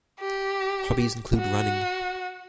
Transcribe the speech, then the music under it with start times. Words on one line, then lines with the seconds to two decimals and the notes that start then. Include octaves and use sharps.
Hobbies include running.
0.20 G4
1.37 F#4